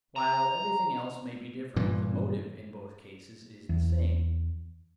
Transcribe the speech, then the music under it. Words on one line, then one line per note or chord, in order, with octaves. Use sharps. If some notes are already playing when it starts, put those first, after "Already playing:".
While everything else may be different the motive in both cases is the same.
A#5
G2 A#2 E3
E2